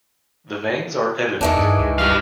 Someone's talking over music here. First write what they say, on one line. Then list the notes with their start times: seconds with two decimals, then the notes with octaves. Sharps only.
The veins are evident.
1.41 E2 D#3 E3 D4
1.57 G2 G#4
1.79 C#2
1.98 G2 G3 F5